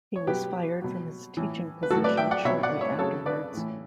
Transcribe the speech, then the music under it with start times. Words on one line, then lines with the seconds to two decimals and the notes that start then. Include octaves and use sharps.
He was fired from his teaching position shortly afterwards.
0.16 C#5
0.27 B2 F#3 G4 B4
0.82 B2 F#3
1.37 A2 E3
1.83 B4
1.91 A2 F#3 F#4 A4
2.04 B4 D5
2.17 E5 G5
2.31 D5 F#5
2.45 B2 C#5 E5
2.48 F#3
2.63 D5 F#5
2.81 C#5 E5
2.99 C#3 F#3 A4 C#5
3.26 B4 D5
3.53 A2 E3